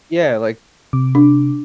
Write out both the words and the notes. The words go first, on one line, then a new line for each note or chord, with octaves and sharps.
Yeah, like
C3 D6
D4